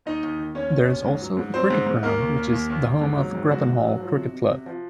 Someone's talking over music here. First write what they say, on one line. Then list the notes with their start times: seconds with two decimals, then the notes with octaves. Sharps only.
There is also a cricket ground, which is the home of Grappenhall Cricket Club.
0.06 D#2 D#4 D#5
0.23 D#2
0.39 D#3
0.55 D#2 C#4 C#5
0.71 D#2
0.88 D#2
1.05 G#2
1.22 F#3
1.37 G#2
1.54 F#3 C4 C5
1.70 G#2
1.87 G#2
2.03 D#2 A#3 A#4
2.20 D#2
2.36 D#2
2.53 D#2
2.70 D#2
2.86 D#2
3.01 G#2
3.18 F#3
3.35 G#2
3.51 G#2 F#4
3.67 G#2
3.84 F#3
4.00 F3
4.17 C3
4.33 C3
4.50 C3
4.66 F3